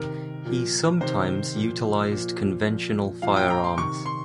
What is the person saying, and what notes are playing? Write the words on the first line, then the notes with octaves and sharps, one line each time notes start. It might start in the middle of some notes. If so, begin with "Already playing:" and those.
He sometimes utilized conventional firearms.
Already playing: C3 D#3 A#4
A#2 F3
C3 D#3 C5
A#2 F3
A#2 F3
A#2 F3
A#2 F3 F5
G5
A#5
C6
C3 D#3 C#6
C6